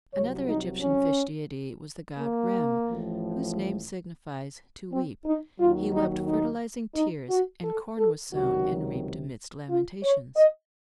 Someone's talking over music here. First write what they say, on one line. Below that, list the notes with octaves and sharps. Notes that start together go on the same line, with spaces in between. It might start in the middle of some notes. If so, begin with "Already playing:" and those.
Another Egyptian fish deity was the god Rem, whose name signifies "to weep"; he wept fertilizing tears, and corn was sown and reaped amidst lamentations.
C2 C3 F#3 C#5
D#4
C#4
A#3
A1 A2 F3
C4
D#4
D#2 D#3 F#3 F4
D#4
D#4
D#4
F#4
A4
A4
C#2 C3 D#3 F#3 F#4
F4
C#5
D#5